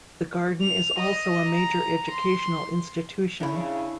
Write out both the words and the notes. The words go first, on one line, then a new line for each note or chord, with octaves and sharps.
The Garden is also a major educational institution.
F7
D#5
A#5
C6
C#3 D4 E4